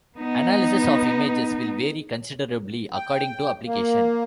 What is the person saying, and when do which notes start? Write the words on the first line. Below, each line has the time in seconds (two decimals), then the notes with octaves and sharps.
Analysis of images will vary considerably according to application.
0.17 B3 D#4
2.95 G5
3.65 A#3